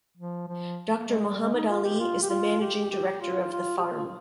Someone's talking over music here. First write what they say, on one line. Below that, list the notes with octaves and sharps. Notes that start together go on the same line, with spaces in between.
Doctor Mohammad Ali is the Managing Director of the farm.
F3
F3
A#3
G#3
G3
G#3
D#4
F4
G4
F4
G4
F4
G4
G4
F4
F4
G4
F4